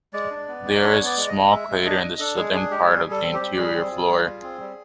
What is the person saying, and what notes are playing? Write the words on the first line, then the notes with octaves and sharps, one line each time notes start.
There is a small crater in the southern part of the interior floor.
G#3 D5
D4
B3
G#3
D4 C#5
B3
D5
G#3
D#5
G#3
G#3 E5
G#3
D4 D#5
D4
D4 A4
G#3 G#4
D4 G#4
G#3 G4
G3 G#4
G3
A4
C4
G4
G3
G3 G#4
C4
F4
G3
F4
C4
G3